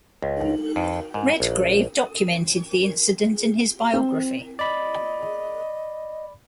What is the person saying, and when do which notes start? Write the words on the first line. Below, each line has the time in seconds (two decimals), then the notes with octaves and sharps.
Redgrave documented the incident in his biography.
0.22 C#2
0.76 F2
1.14 G#2
1.40 A#1
3.93 C4
4.59 D5 D#5 B5